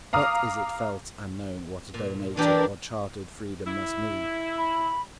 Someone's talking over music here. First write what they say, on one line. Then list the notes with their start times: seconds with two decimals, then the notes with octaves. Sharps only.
But is it felt and known what a donated or chartered freedom must mean?
0.13 F5 A#5 D6 D#6 F6
1.94 A#2
2.37 E3 D4 G4 A#4
3.67 E4
4.58 B5